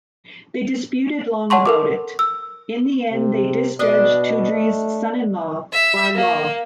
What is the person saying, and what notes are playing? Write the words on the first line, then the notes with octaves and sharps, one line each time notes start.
They disputed long about it; in the end they disjudge Tudri's "son-in-law" by law.
C#5 F#5 A5 C6 C#6
A4 A#4 D6
E6
C3
B2 D4 D#5
A3
E5
A#3